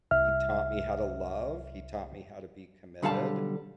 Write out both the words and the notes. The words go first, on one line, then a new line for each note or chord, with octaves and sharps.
he taught me how to love, he taught me how to be committed,
C2 E5 F6
B1 D3 G3 F5 A5